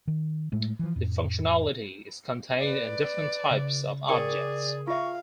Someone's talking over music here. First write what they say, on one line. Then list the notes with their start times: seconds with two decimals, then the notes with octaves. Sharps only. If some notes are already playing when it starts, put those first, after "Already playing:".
The functionality is contained in different types of objects.
0.08 D#3
0.52 A2 G#3 A3
0.79 E3 F3
0.96 F2 A2
2.60 B4 D5
3.51 C#3
4.08 G#4 A#4 D5 G5 C#6
4.87 F4 E5 F5 C#6